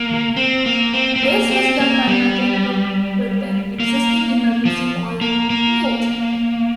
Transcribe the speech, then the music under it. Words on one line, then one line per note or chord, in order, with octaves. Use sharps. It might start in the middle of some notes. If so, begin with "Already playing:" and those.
This was done by merging it with an existing emergency oil fuel tank.
Already playing: A#3
C4
A#3
C4
C4
A#3
C4
A#3
G3
A#3
F3
A#3
A#3